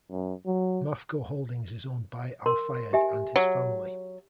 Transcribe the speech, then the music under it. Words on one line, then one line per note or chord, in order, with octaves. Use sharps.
Mafco Holdings is owned by Al-Fayed and his family.
F#2
F#3
A#4 C6
G4 E5 G#5
F#3